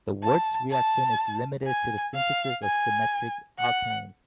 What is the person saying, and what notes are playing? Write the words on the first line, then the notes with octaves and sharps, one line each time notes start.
The Wurtz reaction is limited to the synthesis of symmetric alkanes.
A5
A5
G#5
F5
G#5
F#5